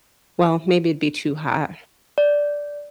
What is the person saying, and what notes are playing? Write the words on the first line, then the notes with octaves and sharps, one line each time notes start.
well, maybe it'd be too hot,
D5